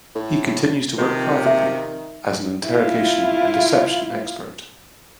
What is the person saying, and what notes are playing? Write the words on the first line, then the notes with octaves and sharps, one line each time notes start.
He continues to work privately as an interrogation and deception expert.
A2
C3 D#3 F3
E5
E4 F4